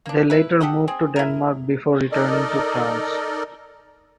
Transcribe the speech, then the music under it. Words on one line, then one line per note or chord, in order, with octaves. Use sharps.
They later moved to Denmark before returning to France.
A#3 D4
E4 B4
G4 A4 D#5 F#5
C4 G#4
E4 A#4
D#4 A4 A#4 D5 D#5